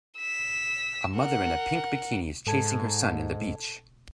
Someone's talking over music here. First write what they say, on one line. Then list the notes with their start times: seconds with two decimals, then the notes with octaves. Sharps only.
A mother in a pink bikini is chasing her son in the beach.
0.18 E6 B6
1.14 A#4 F#5
2.47 G#2 A4 A5 G#6